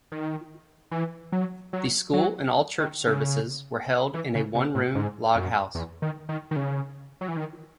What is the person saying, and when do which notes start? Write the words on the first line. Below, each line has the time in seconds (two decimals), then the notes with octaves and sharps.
The school and all church services were held in a one-room log house.
0.12 D#3
0.91 E3
1.32 F#3
1.73 F#3
2.13 F#3
2.79 D#3
3.07 C#3
4.14 E3
4.35 C#3
4.55 C3
4.75 A2
4.95 G#2
5.36 F#2
5.75 E2
6.02 D#3
6.29 D#3
6.51 D#3
6.56 C#3
7.21 F#3
7.28 E3
7.37 D#3